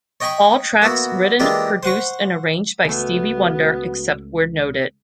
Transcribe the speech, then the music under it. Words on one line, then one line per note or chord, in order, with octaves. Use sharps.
All tracks written, produced and arranged by Stevie Wonder, except where noted.
C#5 D#5 G5 G#5 B5 C#6
A#3 B3 E4 F#4
E3 G#3 A#3 D4 F4 G4
C5 F#5 C#6
C#2 A3 B3 F#4